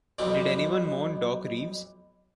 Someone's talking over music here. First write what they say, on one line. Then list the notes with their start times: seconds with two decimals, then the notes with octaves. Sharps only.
Did anyone mourn Doc Reeves?
0.19 B1 F2 E3 D4